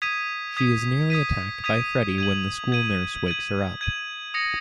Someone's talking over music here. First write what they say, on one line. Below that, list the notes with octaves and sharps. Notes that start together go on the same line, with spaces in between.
She is nearly attacked by Freddy when the school nurse wakes her up.
D#6 G#6 B6 D#7
D#6 G#6 B6 D#7
D#6 G#6 B6 D#7
D#6 G#6 B6 D#7
G#6 D#7 F#7
G#6 D#7 F#7
G#6 D#7 F#7
G#6 D#7 F#7
D#6 A#6 C#7